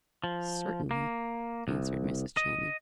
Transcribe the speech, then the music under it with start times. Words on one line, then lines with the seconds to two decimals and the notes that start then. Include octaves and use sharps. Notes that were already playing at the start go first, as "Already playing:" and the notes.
"Certainly," answered Mrs. Channing.
0.24 F3
0.91 A#3
1.68 C2
2.37 D#5